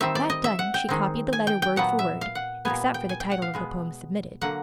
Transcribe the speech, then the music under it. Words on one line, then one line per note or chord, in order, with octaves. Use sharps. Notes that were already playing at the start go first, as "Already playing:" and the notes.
That done, she copied the letter, word for word--except for the title of the poem submitted.
D#3 G3 C4 E5
D5
D#5
E5
F#5
G5
D#3 G#3 C4
G#5
G5
G5
A#2 F#3 B3 F#5
E5
F5
F#5
A#2 G3 B3 G#5
G5
G#5
G5
F#5
F5
B2 G#3 B3
D3 F#3 A#3 F#5